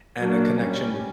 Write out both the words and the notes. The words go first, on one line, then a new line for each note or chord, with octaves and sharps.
and a connection
F#3 A#3 D4
G3 C#4